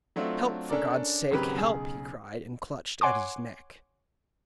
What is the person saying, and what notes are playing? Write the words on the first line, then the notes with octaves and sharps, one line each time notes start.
"Help, for God's sake, help!" he cried, and clutched at his neck.
F#3 A3 C4 D4 F4
C#4 D4 A4 A#4 D5
G#1 C#3 F#3 G4 A#4 B4
B1 C#3 G#4
C#5 F#5 G#5 C6 D6